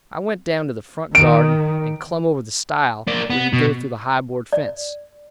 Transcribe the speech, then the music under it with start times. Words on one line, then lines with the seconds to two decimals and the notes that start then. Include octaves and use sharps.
I went down to the front garden and clumb over the stile where you go through the high board fence.
1.15 D#3 D7
3.07 A#3 D4
3.30 B3
3.53 B2
4.53 D5